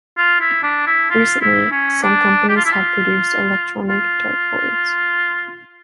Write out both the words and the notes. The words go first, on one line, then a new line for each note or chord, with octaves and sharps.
Recently, some companies have produced electronic dartboards.
F4
E4
D4
E4
F4
E4
C#4
D4
G4
F4
E4
F4
F4